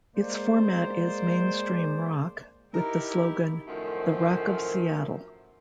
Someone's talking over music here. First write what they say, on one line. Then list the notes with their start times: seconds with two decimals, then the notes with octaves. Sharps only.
Its format is Mainstream Rock, with the slogan, "The Rock of Seattle".
0.17 G#3 A#3 C5 D5
2.74 D#4 E4 G4 A#4
3.67 F#2 A2 D#3 F3 A3 C5